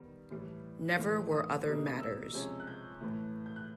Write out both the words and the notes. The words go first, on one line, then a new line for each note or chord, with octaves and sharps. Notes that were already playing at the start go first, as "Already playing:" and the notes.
Never were other matters.
Already playing: D#3 G3 B3
A2 E3 G3
A2 E3 A3
D#6
B2 G3 A#3 D#4
E6
C3 F3 G#3 C#4
F#6
G6
A2 E3 A3
G6
F#6